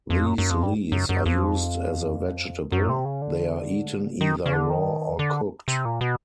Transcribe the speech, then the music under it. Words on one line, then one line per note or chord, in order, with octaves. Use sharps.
These leaves are used as a vegetable; they are eaten either raw or cooked.
F2
F#2
F#2
F2
G2
F#2
F#2
F2
F#2
C3
C#3
D3
D#3
C#3
D3
D#3
D3
C3
A#2
B2